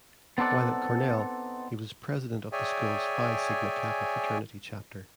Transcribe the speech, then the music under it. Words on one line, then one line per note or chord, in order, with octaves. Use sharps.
While at Cornell, he was president of the school's Phi Sigma Kappa fraternity chapter.
B3 C4 D#4 A4 D5 F#5
G#4 C#5 D5 E5 G5 G#5